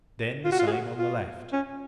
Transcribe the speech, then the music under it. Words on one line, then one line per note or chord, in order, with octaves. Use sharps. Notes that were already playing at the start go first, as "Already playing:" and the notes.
Then the same on the left.
F4
F#4
F4
G#4
F#4
F4
C#4